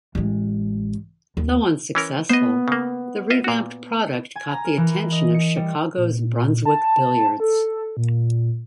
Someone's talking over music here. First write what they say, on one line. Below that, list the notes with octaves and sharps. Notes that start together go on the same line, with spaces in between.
Though unsuccessful, the revamped product caught the attention of Chicago's Brunswick Billiards.
A1 G#3
D#2
E3 C#4 A#4
B3 C5 D#5
C#3 A#3
F4 D#5 E5
A#2 F#4
G#5
A#5
A#4
E3
D#5
C#7
G3
A#2
A5
A4
A#2